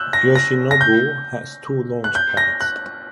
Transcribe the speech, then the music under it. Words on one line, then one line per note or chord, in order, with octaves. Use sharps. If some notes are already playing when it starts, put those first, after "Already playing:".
Yoshinobu has two launch pads.
Already playing: E6 F#6 G6
A#6
A#6
A#6
G6
F#6
G6
A#6
F#6